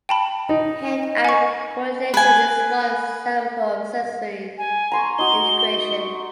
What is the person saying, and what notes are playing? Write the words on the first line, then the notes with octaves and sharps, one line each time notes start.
Hand eye coordination is one example of sensory integration.
G5 A5 B5
D#4 D#5
G#5 C#6
B4 G#5
G#5
A#5 C6 C#6
D#4 F#4 G7
C#6